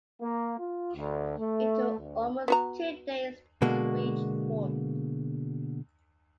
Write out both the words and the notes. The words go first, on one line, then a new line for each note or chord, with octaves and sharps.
It took almost two days to reach port.
A#3
F4
D2
A3
D2
B3 F#4 A#5
B2 D3 G#3 A#3 F#4